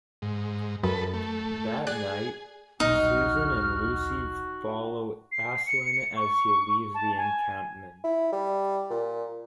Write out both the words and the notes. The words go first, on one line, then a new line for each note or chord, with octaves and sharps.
That night, Susan and Lucy follow Aslan as he leaves the encampment.
G#2
F#2 A4 B4
A3
G#4 D5 F#6
D#1 B1 D#4 F#4 F6
C7
C#7
C#6
A5
G#5
E4
G3
A#2